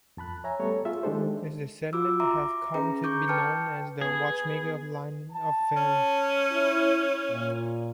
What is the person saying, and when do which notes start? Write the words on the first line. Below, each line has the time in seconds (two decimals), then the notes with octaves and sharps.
His "descendants" have come to be known as the Watchmaker line of Feri.
0.17 F2 A5 B5 F#6
0.44 C#5 E5 G#5 A#5
0.60 G3 A3 B3 A4 C#5
0.85 F4 G#4 E5
1.03 D#3 G#3 D4 G4 A4 C5
1.93 F4 F#4 D6 E6
2.20 E5 A#5 C6 D6
2.74 C#4 G#4 B4 A#5
3.04 C#6 D6 G6
3.28 B4 G5 A5 F6 G6 C#7
4.01 B3 G#4 B4
5.32 A5
5.76 C#4
6.52 E4
7.30 A#2